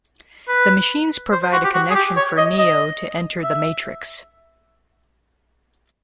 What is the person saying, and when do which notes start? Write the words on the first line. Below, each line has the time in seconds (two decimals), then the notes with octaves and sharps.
The Machines provide a connection for Neo to enter the Matrix.
0.48 B4
1.32 C5
1.43 C5
1.53 F#4
1.64 G4
1.74 F#4
1.90 G#4
1.95 G4
2.17 C#5
2.37 D#5
2.59 D#5
3.43 E5